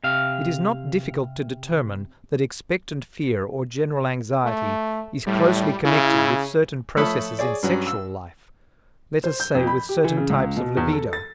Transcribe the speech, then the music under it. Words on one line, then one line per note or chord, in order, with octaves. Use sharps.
It is not difficult to determine that expectant fear or general anxiety is closely connected with certain processes in sexual life, let us say with certain types of libido.
C3 F5
A3
A2 G3
C#3 E4
F3 A3 A4 C#5 B5 D#6
G#4 C#5 D5
G2 F#3 C#4
E6
C5
G6
F2
B5
G4
E3
C#3
C#2
B2
E2
A4
A6